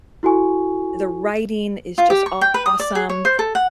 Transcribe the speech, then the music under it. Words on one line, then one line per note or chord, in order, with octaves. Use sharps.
the writing is just awesome,
E4 F#4 A4 G#5 C#6
F4
G4
C#6
G5
B4
D#6
D5
G#4
C#5
C5
A4
F#5